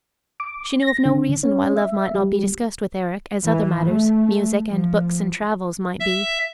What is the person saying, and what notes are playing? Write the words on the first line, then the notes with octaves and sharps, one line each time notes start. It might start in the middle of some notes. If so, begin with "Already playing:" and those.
She knew of no reason why love might not be discussed with Eric as other matters--music and books and travel--might be.
D6
A#6
D3
C#4
E5
G3
E3
A3
F3
E5